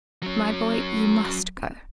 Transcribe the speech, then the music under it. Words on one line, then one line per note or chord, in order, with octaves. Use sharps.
'My boy, you must go.
F#3 C#4